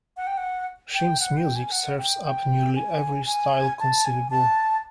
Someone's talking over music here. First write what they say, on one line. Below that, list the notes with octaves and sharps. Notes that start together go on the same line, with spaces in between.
Shin's music serves up nearly every style conceivable.
F#5
G5
F#5
G5
F#5
G5
G#5
F#5
G5
G5
G#5
G#5
A5
G#5
A5